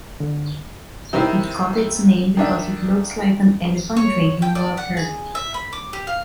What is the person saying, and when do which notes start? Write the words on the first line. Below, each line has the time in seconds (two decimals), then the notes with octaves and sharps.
It got its name because it looks like an elephant drinking water.
0.20 D3
1.13 C3 D#3 C4 E4
2.37 D#3 D4 E5
3.97 C#5
4.42 G5
4.55 D5
4.77 F#5
4.97 G#4
5.35 E5
5.54 B5
5.73 D6
5.93 G4
6.07 F5